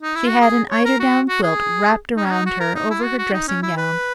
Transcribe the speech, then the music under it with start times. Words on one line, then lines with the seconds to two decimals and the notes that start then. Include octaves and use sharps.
She had an eiderdown quilt wrapped around her over her dressing-gown.
0.02 D#4
0.15 E4
0.29 F#4
0.41 G#4
0.70 C#5
0.85 A#4
1.00 F#4
1.29 F#4
1.43 G#4
2.17 D#4
2.25 C#4
2.31 D#4
2.46 F#4
2.60 A#4
2.75 D#4
2.90 E4
3.04 F#4
3.18 F#4
3.33 D#4
3.48 C#4
3.63 E4
3.77 B4